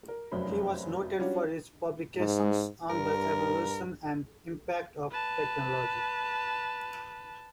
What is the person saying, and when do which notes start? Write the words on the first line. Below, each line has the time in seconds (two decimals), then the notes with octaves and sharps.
He was noted for his publications on the evolution and impact of technology.
0.08 A#4
0.32 F1 F#2 F#3 C#4 C5 B5
1.19 F#3 G3 C#4 D4 F4 F#4
2.17 G#2
2.90 G2 A#4
5.11 B4 A5